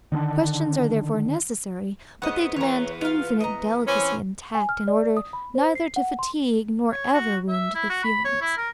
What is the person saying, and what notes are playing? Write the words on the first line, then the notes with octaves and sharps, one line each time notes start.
Questions are therefore necessary, but they demand infinite delicacy and tact, in order neither to fatigue nor ever wound the feelings.
D3 D#3 C4 D4
G#2 B3 D#5 F#5
E2 B3 C#5 A#5
F4 F5
D#5 A#5
E3 C4 C#4
G#5
F6
D5
D#6
B5
C5
C7
F#5
C6
C#5
F#4
E5
E4
F#4
B5
C#5
E4
A#4